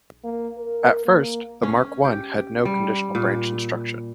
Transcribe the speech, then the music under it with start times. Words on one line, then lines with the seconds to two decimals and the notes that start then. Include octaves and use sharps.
At first, the Mark One had no conditional branch instruction.
0.24 A#3
0.58 A#4
1.06 A#3
1.63 C#4
2.04 G4
2.65 G3
3.15 A#2